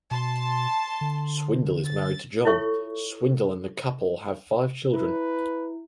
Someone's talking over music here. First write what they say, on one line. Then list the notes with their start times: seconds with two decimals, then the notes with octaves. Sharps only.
Swindle is married to Jon Swindle and the couple have five children.
0.11 B2 A5 C6
1.01 D3
1.85 A6
2.45 E4 F4 A4 C#5 E5 C#6
4.94 E4 B4